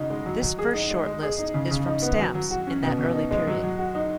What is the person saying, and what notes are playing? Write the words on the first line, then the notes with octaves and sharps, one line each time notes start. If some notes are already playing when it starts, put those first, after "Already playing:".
This first short list is from stamps in that early period.
Already playing: C#3 D#4 F#4
G#3
F#3
F#3
G#4
D#4
G#3
G#3
G#4
D#4
C#3
C#3
D#4
B3
F#3
F#3
F#4
C#4
B2
B2
D#4
G#3
F#3
F#3
F#4
D#4